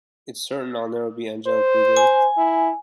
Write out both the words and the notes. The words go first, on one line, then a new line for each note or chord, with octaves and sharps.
It’s certain I’ll never be angelically good.
C5
G#5
E4